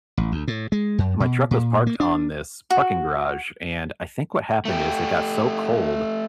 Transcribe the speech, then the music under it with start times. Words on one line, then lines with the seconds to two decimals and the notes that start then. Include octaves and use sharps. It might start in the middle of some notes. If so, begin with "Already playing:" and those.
my truck was parked on this parking garage, and I think what happened is it got so cold,
0.17 A1
0.32 D2
0.48 A2
0.72 G#3
0.98 F#2
1.20 B2
1.51 A#2
1.87 A#3
2.00 D4
2.70 F#4
4.65 A3 G4